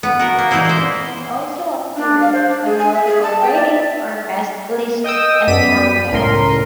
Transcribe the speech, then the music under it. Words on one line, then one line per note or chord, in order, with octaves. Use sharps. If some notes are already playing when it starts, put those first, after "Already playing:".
It has also appeared on multiple "greatest" or "best" lists and countdowns.
B3
F#4 A#4
A#3
A#2 E3 D#4 E4 C5
G#3 C5
D4
F5
C5
D4
G#4
G#5
E5
G#4
A5
G5
D5
E5
D#5 G5 D#6 E6
F#2 B3 D5 B6 D#7
C#2 A2 A#4 C6